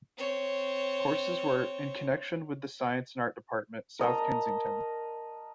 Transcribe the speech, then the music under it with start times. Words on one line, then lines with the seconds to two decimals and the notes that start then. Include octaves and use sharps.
Courses were "in connection with the Science and Art Department, South Kensington".
0.18 C4 C#5
3.99 A#4 D#5 A5 A#5